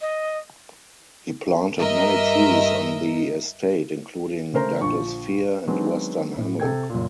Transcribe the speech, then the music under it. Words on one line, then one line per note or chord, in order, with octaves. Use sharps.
He planted many trees on the estate including Douglas Fir and Western Hemlock.
D#5
G2 A#4 D#5 E5
C#3 A3 A#4 C5 A#5
A#1 D3 F3 C#6
D#3 F#3 G#3 B3 C4 D4
A2
C3 A4 G5 G#6
F#1 A#2